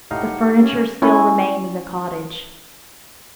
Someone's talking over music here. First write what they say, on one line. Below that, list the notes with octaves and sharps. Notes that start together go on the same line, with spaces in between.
The furniture still remained in the cottage.
A2 D#4 G4 F5 F#5
C#4
C#4 E4 G#5